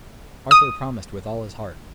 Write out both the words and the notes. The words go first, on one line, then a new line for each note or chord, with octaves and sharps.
Arthur promised with all his heart.
D#6